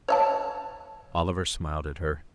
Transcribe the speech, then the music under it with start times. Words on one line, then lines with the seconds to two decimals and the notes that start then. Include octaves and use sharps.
Oliver smiled at her.
0.08 C#5 E5 A5